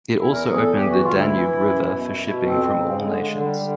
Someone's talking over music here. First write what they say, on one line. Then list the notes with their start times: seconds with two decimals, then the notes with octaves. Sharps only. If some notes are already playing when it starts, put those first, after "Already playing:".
It also opened the Danube River for shipping from all nations.
0.18 E2 E4
0.32 A#4
0.47 E2
0.52 G#4
0.61 A4
0.75 E3 G4
0.90 F#4
1.03 D2 F4
1.18 E4
1.32 E3
1.60 F#2
1.89 B2
2.18 B2
2.46 F2 C4
2.74 C#3
3.03 D3 G#3
3.22 G#3
3.31 D3
3.41 G3
3.60 D3